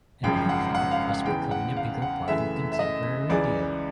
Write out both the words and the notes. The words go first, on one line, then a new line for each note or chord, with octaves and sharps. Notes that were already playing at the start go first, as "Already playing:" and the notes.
And hip hop was becoming a bigger part of contemporary radio.
G#1 F#2 C#3 F3 G5
F#5
F#5
F5
F5
E2 C#3 E3 G5
F#5
F5
F#5
F#2 C#3 E3 A3 E5
E5
D#5
C#2 C#3 E3 G#3 D5